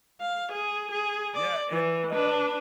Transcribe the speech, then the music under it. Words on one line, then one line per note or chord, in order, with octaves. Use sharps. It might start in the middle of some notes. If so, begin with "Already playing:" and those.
yeah, and, um
F5
G#4
G#4
D5
E3
D4 B4